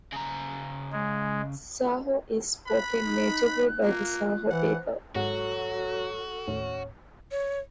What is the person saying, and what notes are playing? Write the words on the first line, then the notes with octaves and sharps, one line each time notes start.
Saho is spoken natively by the Saho people.
C#3 A#5
G#3
B5 F#6
D#4
A#3 F4
E3 C5 F#5
G#1 G#2 F#3 F#4 A4 F#5
D#2 A2 C#4
C#5